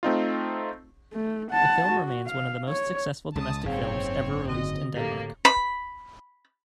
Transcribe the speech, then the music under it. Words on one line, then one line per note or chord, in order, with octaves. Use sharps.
The film remains one of the most successful domestic films ever released in Denmark.
A3 C4 D#4 F4
A3
F#5 A5
F#4
F5
C#5
C#2 A5 D#6
F#1 G#2 C#3 C4 G#4 C#5 F5
D3 C4 F#4 D#5
A2 A#3 G4 A4
B5